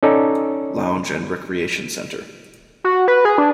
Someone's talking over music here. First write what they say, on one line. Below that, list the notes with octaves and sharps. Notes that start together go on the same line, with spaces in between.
Lounge and recreation centre.
C#4 D#4 A4 D5
F#4
B4
G#4
D4